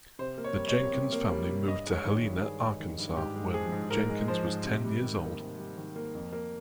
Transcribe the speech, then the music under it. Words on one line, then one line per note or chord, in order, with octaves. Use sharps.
The Jenkins family moved to Helena, Arkansas, when Jenkins was ten years old.
C3 C5
A#3
C#5
G3
C#5
C3
C3
A#3
G3
C3
G2 D#5
G#3
C#5
D#3
G2
G2 G#4
G#3
D#3
G2
G#2 G4
G#3
F3 G#4
G#2
G#2 A#4
G#3
F3 C5
G#2
C3
G3
D#3
A#3
C3
G3
D#3
A#3
F2
A#3